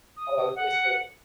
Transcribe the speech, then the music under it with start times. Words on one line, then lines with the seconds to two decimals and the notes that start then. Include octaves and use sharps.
Oh, I was gonna say
0.17 D#6
0.55 F#5